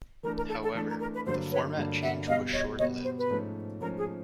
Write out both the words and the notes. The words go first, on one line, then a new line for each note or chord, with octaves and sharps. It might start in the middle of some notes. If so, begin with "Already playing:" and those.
However, the format change was short lived.
E3 A3 D4 A#4
A#4
A4
A4
E3 A3 D4 A4
A#4
A#4
B4
G2 D3 F#3 A#3 D4 C5
B4 C#5
G2 D3 F#3 A#3 D4
E5 F#5
B2 G3 B3 D#5 F5
C#5 D#5
B2 G3 B3 C#5 D#5
C5
B4
G#2 F3 A3 C#4
G#2 F3 A3 C#4 A#4
G#4